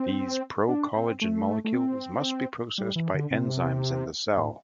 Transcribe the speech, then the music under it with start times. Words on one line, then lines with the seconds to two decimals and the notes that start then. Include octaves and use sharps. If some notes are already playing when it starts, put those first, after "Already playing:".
These procollagen molecules must be processed by enzymes in the cell.
Already playing: C4
0.68 D4
0.94 C4
1.22 A3
1.65 A3
1.73 C4
2.78 G3
2.96 E3
3.14 D3
3.31 C3
4.37 A2